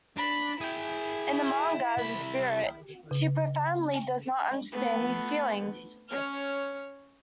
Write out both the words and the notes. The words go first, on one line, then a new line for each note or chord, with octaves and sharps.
In the manga, as a spirit, she profoundly does not understand these feelings.
D4 B5
E4 G#4 G5
C2 B5
C#3
A3 B3 B4
C#4 C#5 F6